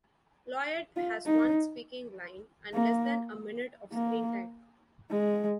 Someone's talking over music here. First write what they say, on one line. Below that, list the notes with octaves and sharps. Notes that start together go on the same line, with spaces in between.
Lloyd has one speaking line, and less than a minute of screen time.
F4
D#4
A#3
A#3
G#3